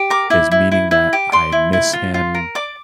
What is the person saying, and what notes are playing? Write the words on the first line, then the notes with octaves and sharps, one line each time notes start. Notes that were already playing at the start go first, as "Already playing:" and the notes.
is meaning that I miss him,
Already playing: G4
A#4 D6
E4
E4
E4
E4
G4
D5 C6
E4
E4
F4
F4
A#4
D5 D6